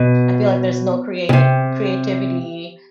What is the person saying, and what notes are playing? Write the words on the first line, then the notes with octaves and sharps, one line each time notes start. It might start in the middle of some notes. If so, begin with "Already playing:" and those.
I feel like there's no creati creativity,
Already playing: B2
C#3
C3